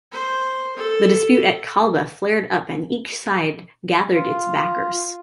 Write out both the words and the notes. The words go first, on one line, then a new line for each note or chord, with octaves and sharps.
The dispute at Kalba flared up and each side gathered its backers.
C5
A4
F4